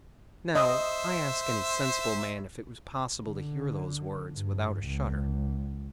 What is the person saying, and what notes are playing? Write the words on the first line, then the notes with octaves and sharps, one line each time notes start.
Now I ask any sensible man if it was possible to hear those words without a shudder.
C5 D#5 E5
D3
G2
C#2